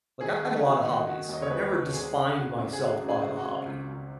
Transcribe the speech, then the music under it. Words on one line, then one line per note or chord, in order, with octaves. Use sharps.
Like, I have a lot of hobbies, but I've never defined myself by the hobby.
D#3 G#4
D#3
D#3 F#4
D#4
D#3 F#4
D#3 F#4
D#2 D#5
C#5
D#2 B4
D#2
G#1 G#4
C#3
C#3 F#4
G#1
G#4
G#1 F#4
F#2
G#4
C#3
F#4
G#1
C#2
C#2